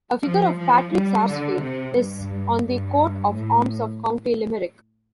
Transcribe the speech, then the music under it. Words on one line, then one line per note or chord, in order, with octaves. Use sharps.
A figure of Patrick Sarsfield is on the coat of arms of County Limerick.
F3
F3
G3
D3
C3
G2
G2
A2